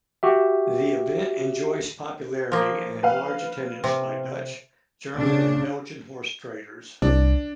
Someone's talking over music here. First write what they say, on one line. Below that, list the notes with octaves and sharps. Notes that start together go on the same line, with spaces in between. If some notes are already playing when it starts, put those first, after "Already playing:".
The event enjoys popularity and large attendance by Dutch, German and Belgian horsetraders.
F#4 G4 E5
F3 A#3
B4 F5
C3
C#3 D4
C2 D4